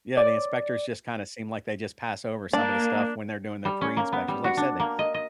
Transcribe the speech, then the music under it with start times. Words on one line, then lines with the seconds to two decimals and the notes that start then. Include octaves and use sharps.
Yeah, the inspectors just kinda seem like they just pass over some of the stuff when they're doing their pre-inspections. Like, said they
0.17 D5
2.53 A#3 D4
3.65 G3
3.81 C#4
3.97 A#3
4.12 B3
4.28 G3
4.44 F#4
4.57 D4
4.80 A#3
4.99 D#5
5.14 D#5